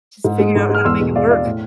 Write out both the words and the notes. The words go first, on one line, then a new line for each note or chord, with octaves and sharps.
just figure out how to make it work.
G#2
G#3
G#2
G#3
F6
E2 C6 E6
B2 G#3
E2 D5 F5
B2 G#3 D5 F5
A2